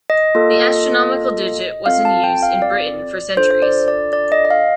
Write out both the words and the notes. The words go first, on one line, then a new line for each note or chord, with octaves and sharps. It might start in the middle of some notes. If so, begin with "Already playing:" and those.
The astronomical digit was in use in Britain for centuries.
D#5
A#3 F4 A4
C4 F4 A4 F5
A5
G5
F5
D5
D4 F4 A4 C5
C5
D5
D5
D5
D#5
D#5
F5